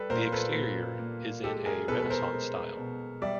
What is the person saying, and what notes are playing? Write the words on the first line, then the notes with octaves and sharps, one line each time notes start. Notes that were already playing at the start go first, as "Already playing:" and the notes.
The exterior is in a Renaissance style.
Already playing: G3 A4 B4
A#2 A#4 C5
A4 B4
A#2
A#3
G#3 G4 A4
G#4 A#4
B2 A4 B4
B4
A#4 C5
G#3
B2
G3 D5 E5